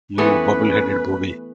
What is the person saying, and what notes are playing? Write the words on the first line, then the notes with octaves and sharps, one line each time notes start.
You Bubble-headed Booby!
E3 A3 B3 C#4 B4